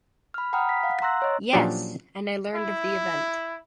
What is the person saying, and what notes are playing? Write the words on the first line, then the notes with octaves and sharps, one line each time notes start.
Yes... and I learned of the event.
B5 F6
F#5 G5 A#5 B5 D#6 F6
B6
F5 F#5
A#5 C6 E6 F#6 A#6
C#5 D#5
A#2 F3 F#3 C#4 D4 G4
E4